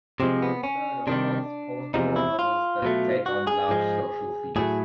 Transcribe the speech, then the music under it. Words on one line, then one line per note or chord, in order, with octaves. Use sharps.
It is the third of Roth's postwar novels that take on large social themes.
C3 F3 G#3 C4
B3
C#4
C3 D#3 G3 D4
E2 C3 F3 G#3 D#4
E4
F4
B2 F#3 A3
F#4
G#4
G#2 F3 G#3
A2 F#3 A3 G#4